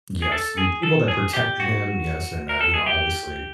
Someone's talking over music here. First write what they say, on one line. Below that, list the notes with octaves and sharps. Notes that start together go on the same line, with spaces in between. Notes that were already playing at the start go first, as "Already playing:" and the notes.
Yes, the people that protected him Yes, and, uh, you know, obviously
G#4
A4
G#4
A4
G#4
G4
F#4
A#4
A4
G#4
G4